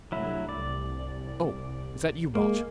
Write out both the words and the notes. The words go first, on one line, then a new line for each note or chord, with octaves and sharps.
Oh, is that you, Balch?
C2 G2 F#3 A3 E4
C2 D5
G#3 A#3